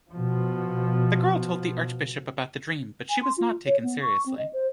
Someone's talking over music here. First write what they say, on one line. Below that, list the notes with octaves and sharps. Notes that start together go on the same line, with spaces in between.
The girl told the archbishop about the dream but she was not taken seriously.
B2 F3
G#5
C6
F4
C#5
B3
C#6
C4
D#5
C5